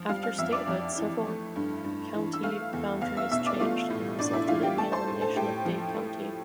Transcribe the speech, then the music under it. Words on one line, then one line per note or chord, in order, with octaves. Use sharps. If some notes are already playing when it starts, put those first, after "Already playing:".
After statehood, several county boundaries changed and resulted in the elimination of Day County.
Already playing: F3
G3 F5 F6
F5 F6
F2 E5 E6
D5 D6
F2
E3
A3
G2
G2
E3
E6
A3 F5 F6
E2
E2 F5 F6
E5 E6
B2 E5 E6
D5 D6
A3 F4 F5
A2
A2 D4 D5
E4 E5
E3 F4 F5
G4 G5
A3 A4 A5
C5 C6
A2
A4 A5
A2 G4 G5
F3
A3